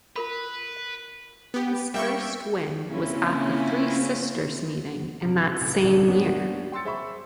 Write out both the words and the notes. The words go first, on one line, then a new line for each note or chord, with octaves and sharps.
His first win was at the Three Sisters meeting in that same year.
F4 A#4 B4 B5
B3 G4
G3 A#3 G4 E5 G5 C#6
C#3 A#3 C4 C#4 E4 F4
G2 C3
C#2 A2
D#1 G#1 C#2 F#2 C#3 D4
A#3 B3 C#4 D4
G5 C6 E6 A6 C#7
G#4 C5 E5 B5 C#6